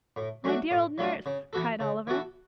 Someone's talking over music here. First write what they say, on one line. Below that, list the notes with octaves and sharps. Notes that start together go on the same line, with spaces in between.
'My dear old nurse!' cried Oliver.
A2
F#3 A3 D4 F#4
A2
F#3 A3 D4 F#4
C#3
E3 B3 F#4 A4
C#3
E3 B3 F#4 A4